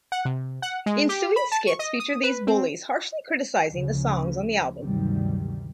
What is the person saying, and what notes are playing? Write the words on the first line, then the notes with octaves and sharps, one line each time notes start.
Ensuing skits feature these bullies harshly criticizing the songs on the album.
F#5
C3
F#5
G#3
G4
B5
A5
C#6
D#5
D#6
B4
C4
D2 C#3 F3
D2 G2 C3 D#3 F#3 G3